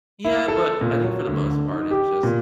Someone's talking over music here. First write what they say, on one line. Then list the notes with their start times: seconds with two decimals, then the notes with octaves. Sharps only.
Yeah, but I think for the most part, it's just
0.25 E4
0.48 A4
0.81 A#2
1.04 F#3
1.27 D2
1.51 D3
1.72 D#4
1.91 G4
2.23 A#2